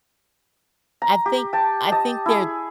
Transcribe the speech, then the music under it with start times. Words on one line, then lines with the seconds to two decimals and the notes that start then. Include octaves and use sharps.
I think I think they're
1.02 A#5
1.26 G4
1.53 G5 A5
1.92 D#5 A5
2.26 E4 G#4